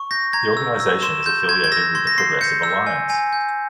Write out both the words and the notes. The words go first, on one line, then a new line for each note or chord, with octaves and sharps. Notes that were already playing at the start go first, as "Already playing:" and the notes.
The organisation is affiliated with the Progressive Alliance.
Already playing: C#6
G6 A#6
A#5 G#6
E6
E6
C6 E7
C6 G6
G6 G#6
G#6
E6 A#6
C6 G#6
A#6
C6 C7
G6 C#7
E6
G#5
G#5
G6